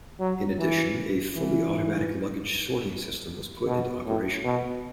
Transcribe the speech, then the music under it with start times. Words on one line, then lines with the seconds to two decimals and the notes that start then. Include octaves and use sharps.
In addition, a fully automatic luggage sorting system was put into operation.
0.20 F#3
0.59 E3
1.36 E3
3.67 B2
4.05 A2
4.44 B2